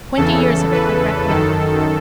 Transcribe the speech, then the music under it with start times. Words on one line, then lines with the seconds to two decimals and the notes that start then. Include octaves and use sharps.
Twenty years of it, regret them not.
0.17 E2 C#3 E3 A4
0.72 B4
1.28 F#2 D#3 A4